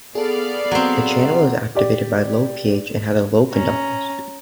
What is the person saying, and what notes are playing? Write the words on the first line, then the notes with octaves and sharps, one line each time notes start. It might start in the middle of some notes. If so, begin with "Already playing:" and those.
The channel is activated by low pH and has a low conductance.
B3 G#4 A4 D5 F5
F#3 C4
G4 D5
C#4 A#5